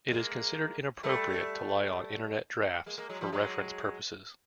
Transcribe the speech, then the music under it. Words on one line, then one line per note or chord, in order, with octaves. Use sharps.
It is considered inappropriate to rely on Internet Drafts for reference purposes.
G#3 A#3
G3 A3
G#3 A#3
G#3 A#3
F#3 G#3
F3 G3
F#3 G#3